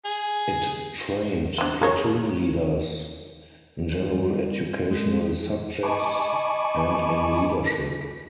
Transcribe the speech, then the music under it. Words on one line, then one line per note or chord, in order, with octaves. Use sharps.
It trained platoon leaders in general educational subjects and in leadership.
G#4
C4 D4
G#4 A#4 C#5
G3
G#3
D#5 G#5 A5 B5 C#6 D6